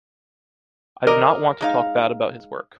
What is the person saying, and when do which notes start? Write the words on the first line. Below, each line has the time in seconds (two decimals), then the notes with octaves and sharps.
I do not want to talk bad about his work.
1.07 A#4 D5 D#5
1.61 G#3 D#4 F5